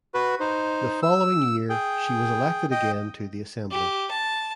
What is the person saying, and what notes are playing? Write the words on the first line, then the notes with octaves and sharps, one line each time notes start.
The following year she was elected again to the Assembly.
F#4 B4
D#4 C5
E6
G#4 G5
D#5 G5
G4
A5